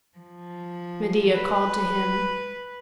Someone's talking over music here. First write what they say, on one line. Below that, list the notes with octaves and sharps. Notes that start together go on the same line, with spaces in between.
Medea called to him.
F3
B4